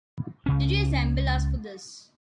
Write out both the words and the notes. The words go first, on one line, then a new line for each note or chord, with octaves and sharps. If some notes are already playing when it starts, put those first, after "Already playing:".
Did you assemble us for this?
C#2 C#3 C#4